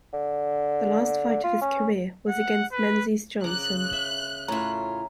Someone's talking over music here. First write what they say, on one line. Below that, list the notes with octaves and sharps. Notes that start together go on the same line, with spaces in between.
The last fight of his career was against Menzies Johnson.
D3
F4
C#4
F#5
B4
C#3 A#5 D6 F#6
E5
A2 C#4 F4 E5 A#5